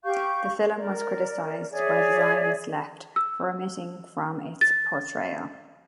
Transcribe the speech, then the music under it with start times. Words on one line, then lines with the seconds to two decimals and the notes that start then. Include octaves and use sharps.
The film was criticised by the Zionist left for omitting from its portrayal.
0.04 G4 F5 C#6 G6
0.76 A#4 D5
1.71 G#4 C#5 D5 E5
3.16 E6
4.61 A6